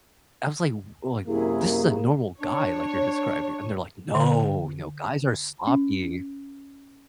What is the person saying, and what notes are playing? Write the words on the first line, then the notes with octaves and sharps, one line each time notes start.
I was like or, like, "This is a normal guy," like, "you're describing," and, they're like, "No," you know, "guys are sloppy."
F#2 C3 A#3 E4 G#4
D4 C#5
D3
C#4